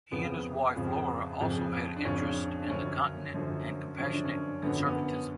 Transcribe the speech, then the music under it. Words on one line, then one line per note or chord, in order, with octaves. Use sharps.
He and his wife, Laura, also had interest in the continent and compassionate conservatism.
F2 C#3 F3 B3
F2 C#3 F3
F2 C#3 F3
D4
F2 C#3 F3 C#4
D4
F#2 D3 F3 C#4
F#2 D3 F3
F#2 D3 F3 C#4
D4
C#4
F#2 D3 F3 B3
B3